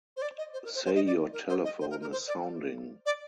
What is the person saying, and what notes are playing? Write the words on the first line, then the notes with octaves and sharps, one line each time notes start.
Say your telephone is sounding.
C5
D5
D#5
C5
A#4
C5
C5
D#5
D5
A#4
C5
D#5
C5
A#4
A#4
C5
D5
D5